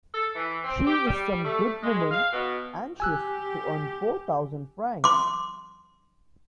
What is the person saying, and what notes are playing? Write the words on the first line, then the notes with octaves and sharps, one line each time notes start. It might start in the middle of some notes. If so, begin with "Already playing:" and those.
She is some good woman anxious to earn four thousand francs.
A4
E3
C4
G4
G3
A3
G#3
F5
B2
G4 G#5 E6 F#6
C6 D6